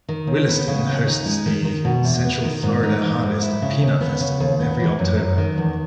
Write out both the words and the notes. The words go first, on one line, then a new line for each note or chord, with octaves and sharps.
Williston hosts the Central Florida Harvest and Peanut Festival every October.
D#3
D#2
B3
C#3
D#2
D#4
G#3
D#3
D#3
B2
E2
B3
D#3
G#2
D#4
E3
G#2
E4
C#3
D#2
B3
C#3
D#2
B3
E3
F#2
F#2
D#3
E2